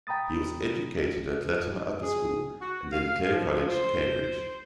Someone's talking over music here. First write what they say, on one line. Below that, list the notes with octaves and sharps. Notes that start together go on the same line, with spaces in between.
He was educated at Latymer Upper School and then Clare College, Cambridge.
G5 A#5 B5 D#6 A6
G#4
F#4
F5
F3
C5